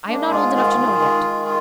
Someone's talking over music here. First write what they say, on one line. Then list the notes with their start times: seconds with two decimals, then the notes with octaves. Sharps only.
"I am not old enough to know yet."
0.07 G#3 A#3 D4
0.30 G#2 F4 G#4
0.53 D#3 F4 G#4
0.77 D#3
0.99 G#3
1.22 D#3
1.45 F4